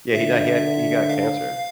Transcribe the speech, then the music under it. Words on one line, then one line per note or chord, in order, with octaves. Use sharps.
Yeah, he di he had he got cancer.
D3 E5
F5